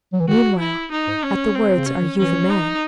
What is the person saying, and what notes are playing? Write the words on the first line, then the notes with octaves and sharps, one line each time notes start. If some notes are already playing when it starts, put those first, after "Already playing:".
Meanwhile, at the words, Are you the man?
F#3
E3
D#3 F#4
E4
D#4
G#2
C#4
C4
C#3
C3 C#4
D#3
E3 C#4
D#4